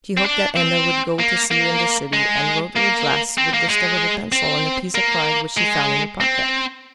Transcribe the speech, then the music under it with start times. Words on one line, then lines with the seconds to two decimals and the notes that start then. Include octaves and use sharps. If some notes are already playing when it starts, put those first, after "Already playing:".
She hoped that Edna would go to see her in the city, and wrote her address with the stub of a pencil on a piece of card which she found in her pocket.
0.17 C4
0.25 D4
0.56 C4
1.19 A#3
1.51 A#3
2.13 G#3
2.76 A#3
3.38 C4
3.54 A#3
3.70 G#3
4.32 C4
4.95 A#3
5.57 G#3
6.21 C4